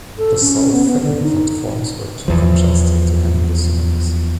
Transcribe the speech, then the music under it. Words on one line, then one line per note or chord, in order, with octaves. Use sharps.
The South Ferry platforms were too congested to handle the service.
A4
C#4
B3
B3
D3
D#4
E2 F3